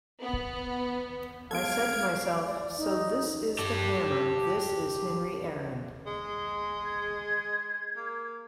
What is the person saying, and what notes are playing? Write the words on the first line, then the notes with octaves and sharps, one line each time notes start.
'I said to myself, so this is the Hammer, this is Henry Aaron.
B3
G#3 B3 A4 F5 G#6 D7
D5
D#4
G4 A5
G#3
G#6
A#3